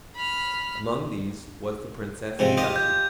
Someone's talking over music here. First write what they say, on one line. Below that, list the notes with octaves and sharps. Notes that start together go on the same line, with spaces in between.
Among these was the Princess Hitachi.
B5 F6
G#2 C3 F3
F4 G4 D#5
G6